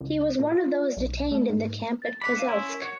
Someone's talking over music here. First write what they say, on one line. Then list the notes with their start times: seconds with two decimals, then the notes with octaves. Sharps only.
He was one of those detained in the camp at Kozelsk.
0.01 C#2
0.39 A#2
0.52 F4
0.97 B1
1.32 A3
1.49 G#2
2.02 A6
2.21 C#3 F#5 B5 D6
2.36 D3 F5 D#7 E7
2.48 C#4 E4 C#5 C6 E6
2.69 A#4
2.82 F#4 C#5